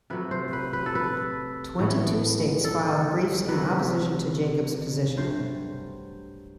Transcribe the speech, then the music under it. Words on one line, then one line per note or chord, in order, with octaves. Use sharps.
Twenty-two states filed briefs in opposition to Jacob's position.
C3 F#3 A3 B4
C5
B4
B4
A4
B4
A2 E3 B3
A4
C3 F#3 A3 B4
G2 F#3 A3 C5